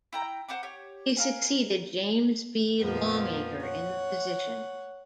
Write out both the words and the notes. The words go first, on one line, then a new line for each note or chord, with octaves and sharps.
He succeeded James B. Longacre in the position.
E4 G5 A#5
C5 F#5 B5 D6
G4 C#5
A#4 F5 G#5
F2 A#2 F3 A#3 B3
C#5 F#5